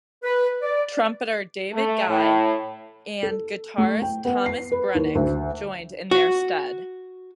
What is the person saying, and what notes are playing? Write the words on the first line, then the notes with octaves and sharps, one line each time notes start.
Trumpeter David Guy and guitarist Thomas Brenneck joined in their stead.
B4
D5
A3
A2
A4
A3
G5
B3
C7
B4
D#2
D2
F#4